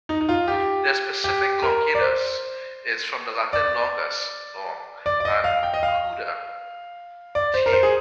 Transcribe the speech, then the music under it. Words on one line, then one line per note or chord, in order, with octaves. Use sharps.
The specific "longicaudus" is from Latin "longus", "long", and "cauda", "tail".
D#4
D#4
F4
G4
G4
A#4
D5
C5
D5
D5
D5
D#5
F5
G5
D#5
F5
D5
C5
A#4
C5
G#4